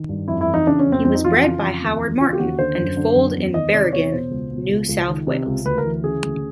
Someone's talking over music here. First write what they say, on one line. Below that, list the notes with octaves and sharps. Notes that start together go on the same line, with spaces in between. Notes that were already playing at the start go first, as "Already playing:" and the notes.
He was bred by Howard Martin and foaled in Berrigan, New South Wales.
Already playing: D#3
G2
F2 E4
E4
E3
D#4
C#3 D4
C#4
F2
C4
F2 C4
D#4
E3 F4
F#4
C#3 F4
F2
D#2
E3
C#3 F4
G4
D#2 F#4
D3 C5
F#2
D3
F#2
E2
D#3 D#5
C3 D5
E2 C#5
B2 C5
C#2
B2
C#2
C#2
D#3
C3
C#2
D2 B4
A#4
E3
C#3 G#4
D2